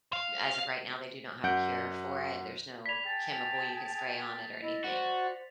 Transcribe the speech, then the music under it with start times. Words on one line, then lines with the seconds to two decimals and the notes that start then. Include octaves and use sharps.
as of right now, they do not have a cure for it, there's no chemical you can spray on it or anything.
0.13 F5
1.43 F#2 F#5 G6 D7
2.86 D5 B5 G#6 B6 F7
3.04 G#4 G5 A5 A6 B6
4.60 E4 D#5
4.84 F#4 C5 D5